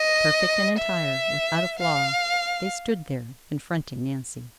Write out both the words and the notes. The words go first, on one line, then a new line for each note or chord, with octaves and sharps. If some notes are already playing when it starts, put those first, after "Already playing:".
Perfect and entire, without a flaw, they stood there, confronting Nancy.
Already playing: D#5
E5
F5